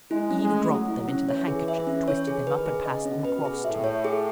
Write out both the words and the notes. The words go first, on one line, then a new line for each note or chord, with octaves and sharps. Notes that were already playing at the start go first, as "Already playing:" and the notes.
Eve dropped them into the handkerchief, twisted them up and passed them across to me.
G#3 E4
C#4
G#3
A3
F#3 A3
E4
F#3
C#4
E3 C#5
G#4
E5
C#4
C#5
G#4
D#3 B4
G#4
C#3
D#5
B2 C#4
B4
B2
G#4
A2 E5
C#5
G#4